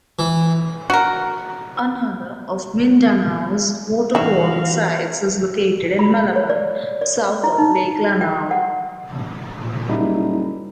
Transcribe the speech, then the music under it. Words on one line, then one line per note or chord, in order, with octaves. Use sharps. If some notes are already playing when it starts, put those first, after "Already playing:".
Another of Mindanao's waterfall sites is located in Malabang, south of Lake Lanao.
E3
F#4 A#4
D#3 E3 F#4 E5 F5
B5
C#5
D5
D5
E4
D#4
G5
F#5
A#2
F#1 G3 D#4 E4